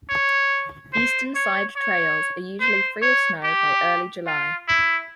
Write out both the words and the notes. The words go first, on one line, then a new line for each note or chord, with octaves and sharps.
Eastern-side trails are usually free of snow by early July.
C#5
C5
C#5
C#5
C5
C#5
G4
F4
E4